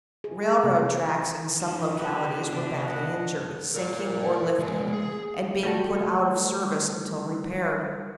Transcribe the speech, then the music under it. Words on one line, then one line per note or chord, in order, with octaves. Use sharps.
Railroad tracks in some localities were badly injured, sinking or lifting, and being put out of service until repaired.
G#4
C3
F#2 F3 D#4
B3 F#4 G4 B4
C3 D4 E5 E6
D#5 F#5
A#4 D5
F3 G#3
G#4
G3 A3 F#4 A4